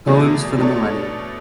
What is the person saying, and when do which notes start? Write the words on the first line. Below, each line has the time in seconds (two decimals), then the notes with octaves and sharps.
Poems for the Millennium.
0.07 E2 B2 A3 D4 G#4
0.58 B2 A3 D4 A4 C#5